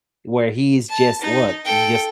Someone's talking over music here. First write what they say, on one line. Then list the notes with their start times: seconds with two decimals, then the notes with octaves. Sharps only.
where he's, just look, just,
0.89 A5
1.21 D#4
1.65 A4 G5